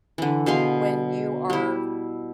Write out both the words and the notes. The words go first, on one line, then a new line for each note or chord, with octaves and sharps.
when you are
D3 E3
B2 G#4 F5 C6
G3 E4